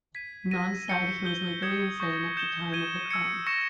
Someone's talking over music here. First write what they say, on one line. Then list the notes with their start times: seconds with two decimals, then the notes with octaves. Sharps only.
None said he was legally insane at the time of the crime.
0.15 G#6 B6 D#7
0.51 E6 A#6 D#7
0.88 C#6 G6 C#7 G7
1.25 G6 C#7 G7
1.62 D#6 G#6 C#7 E7
2.00 C#6 G6 A#6
2.37 G6 C#7 E7 G7
2.73 G#6 D#7 G7
3.10 E6 G#6 C#7
3.46 C#6 E6 A#6 C#7 E7